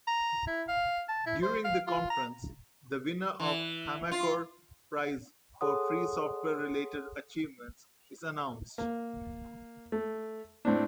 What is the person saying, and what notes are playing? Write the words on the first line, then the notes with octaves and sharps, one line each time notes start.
During the conference, the winner of Hamakor Prize for free software-related achievements is announced.
A#5
E4
F5
A5
E4
C5
F5
F4
A#5
E3
F4
G#4 A4 C#5 F#5 C6 D#6
A#3
A3
A2 C4 D4